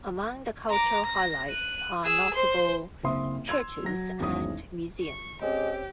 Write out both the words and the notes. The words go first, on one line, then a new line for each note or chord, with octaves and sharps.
Among the cultural highlights are notable churches and museums.
A#5 D6
A#6
F#6 D#7
G#4 E6
C5 C6
F#1 C4 E5 C6 D#6
C6 E6 G#6 F7
F#3 A#6
G#1 E2 C#4 D#6
C#6
G#3 C4 C#4 G4 D5